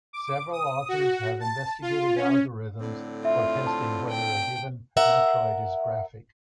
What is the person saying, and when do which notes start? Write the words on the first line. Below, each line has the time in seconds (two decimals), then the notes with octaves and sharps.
Several authors have investigated algorithms for testing whether a given matroid is graphic.
0.13 D6
0.52 D#6
0.88 F#4
1.40 A5
1.82 F4
2.16 C#4
2.81 A2 D3 C4
3.25 F4 E5
3.67 A5
4.10 G5
4.97 A#4 E5 F#5